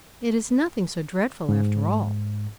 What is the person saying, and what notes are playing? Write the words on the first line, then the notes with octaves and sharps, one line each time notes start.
'It is nothing so dreadful after all!
G#2